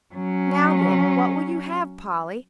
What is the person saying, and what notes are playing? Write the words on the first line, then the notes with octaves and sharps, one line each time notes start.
"Now, then, what will you have, Polly?"
F#3 C#4